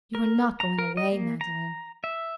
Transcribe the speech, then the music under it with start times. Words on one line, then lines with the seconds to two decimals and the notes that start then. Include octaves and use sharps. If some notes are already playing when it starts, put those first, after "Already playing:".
"You are not going away, Magdalen?"
0.15 A#4
0.60 A#5
0.79 A#4
0.97 D#5
1.12 A#3
1.41 A#5
2.04 E5